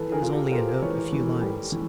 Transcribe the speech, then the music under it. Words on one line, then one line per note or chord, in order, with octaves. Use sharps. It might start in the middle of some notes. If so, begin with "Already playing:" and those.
It was only a note, a few lines.
Already playing: E3 A4 B4
G#4 A#4
F4
G4 A4
F4 A#4 C5
E3 B4 C#5
E3
G3
E3